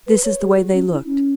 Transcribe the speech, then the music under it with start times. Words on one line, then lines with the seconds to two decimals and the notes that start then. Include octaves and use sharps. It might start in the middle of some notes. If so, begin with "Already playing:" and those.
This is the way they looked.
0.07 B4
0.24 C#5
0.40 G#4
0.57 F#4
0.73 C#4
0.90 E4
1.06 C#4